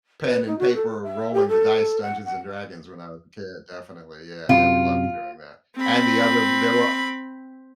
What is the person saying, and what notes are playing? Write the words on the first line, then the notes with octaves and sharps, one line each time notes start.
pen and paper, rolling the dice Dungeons& Dragons when I was a kid, definitely, yeah, yeah, we loved d doing that. And the other we there were
B4
D#4
F#4
A4
E5
G4
A4
F#5
F#5
F#2 C3 F4
C4 B5